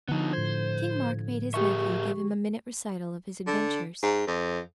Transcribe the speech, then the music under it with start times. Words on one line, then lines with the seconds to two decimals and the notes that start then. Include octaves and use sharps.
King Mark made his nephew give him a minute recital of his adventures.
0.08 D3 F3 B3 D#4
0.33 A2 C5 G#6
1.54 G4 G#4 A#4 E5 C#6
3.47 D3
4.02 G#2
4.27 F2